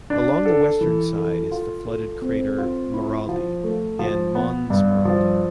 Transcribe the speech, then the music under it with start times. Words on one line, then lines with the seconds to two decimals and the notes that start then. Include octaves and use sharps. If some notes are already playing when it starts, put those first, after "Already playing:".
Along the western side is the flooded crater Maraldi and Mons Maraldi.
0.10 D4
0.45 A4
0.81 E3
1.16 A4
1.51 F4
1.87 A4
2.22 C4
2.58 F4
2.94 E4
3.29 F3
3.64 A3
3.99 F3
4.35 B3
4.70 G2
5.05 F3